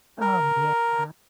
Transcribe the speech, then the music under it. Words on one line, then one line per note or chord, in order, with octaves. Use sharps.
Oh, yeah.
A#4